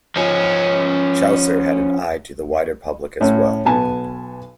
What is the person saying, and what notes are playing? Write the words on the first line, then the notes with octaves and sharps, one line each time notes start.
Chaucer had an eye to the wider public as well.
F3 C#4
A2 C#4
B1 B3 G#5 A5